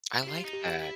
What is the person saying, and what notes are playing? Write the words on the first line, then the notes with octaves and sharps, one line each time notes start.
I like that.
E4
F4 G4
D#4
G4
E4
E4